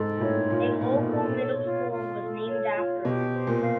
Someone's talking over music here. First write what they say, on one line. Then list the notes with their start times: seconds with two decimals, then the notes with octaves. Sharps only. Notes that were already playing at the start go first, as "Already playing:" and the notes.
A local middle school was named after him.
Already playing: G#2 A4
0.17 A#2
0.21 A2 C#5
0.49 A#2 F4
0.78 A#2 F4
0.92 B2
1.07 A4
1.35 C#5
1.64 F4
1.91 F4
2.20 A4
2.48 C#5
2.76 F4
3.05 B2 G4
3.33 C5
3.47 A#2
3.62 F5